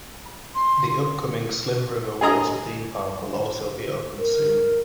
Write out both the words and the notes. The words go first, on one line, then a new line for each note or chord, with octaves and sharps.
The upcoming Slim River Water Theme Park will also be opened soon.
C6
G#4 D#5 A#5 D#6
A#4